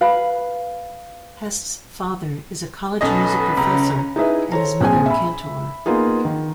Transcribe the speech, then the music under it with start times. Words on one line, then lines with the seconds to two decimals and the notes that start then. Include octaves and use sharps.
Hest's father is a college music professor and his mother a cantor.
0.01 B4 F5 B5
3.01 B1 C#4 A4 B4 D#5
3.57 C#2 C#3 C#4 A#5
4.16 D#4 E4 G#4 B4 E5
4.52 A4 C5 C#5 A#5
4.81 A#1 C4 G#4 G#5
5.06 E5 B5
5.86 A#3 B3 D#4 F4 G#4
6.25 D#3